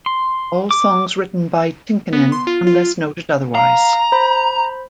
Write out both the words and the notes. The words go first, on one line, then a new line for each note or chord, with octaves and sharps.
All songs written by Tynkkynen unless noted otherwise.
C6
D6
B3
C6
F4
F4
F5 A#5
C5 B5